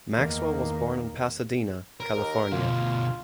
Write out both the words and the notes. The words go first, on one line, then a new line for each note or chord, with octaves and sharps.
Maxwell was born in Pasadena, California.
E2 D#3 A#3
A#4
D#2
D2 B2 F4